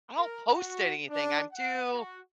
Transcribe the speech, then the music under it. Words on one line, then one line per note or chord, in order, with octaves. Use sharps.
I don't post anything, I'm too
A#4
F#4
D4
F#5
F#4